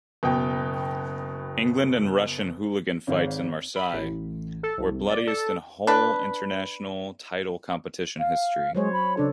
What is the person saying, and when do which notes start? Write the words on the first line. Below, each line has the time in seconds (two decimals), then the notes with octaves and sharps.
England and Russian hooligan fights in Marseille were bloodiest in whole international title competition history.
0.23 F#1 B2 G5
3.07 G#1 G#2 C#5 F5
3.76 B5
3.93 A1
4.63 A4
4.78 C2
5.09 D5
5.27 A4
5.87 D4 B4
8.19 F5
8.75 F#3 G#3 C5 C#5
8.93 B5
9.17 C#3 D4 A4